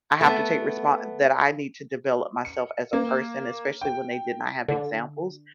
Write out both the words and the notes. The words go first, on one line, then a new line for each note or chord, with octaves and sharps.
"I have to take respon that I need to develop myself as a person," especially when they did not have examples
A3 B3
C#7
A#3
G5
D3